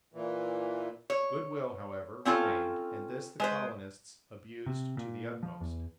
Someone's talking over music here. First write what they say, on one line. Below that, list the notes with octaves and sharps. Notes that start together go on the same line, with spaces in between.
Good-will, however, remained, and this the colonists abused to the utmost.
A#2 E3
C#5
C4 C#4 F4 A4
G#3 B4 C5
C3
A#2
F3
E2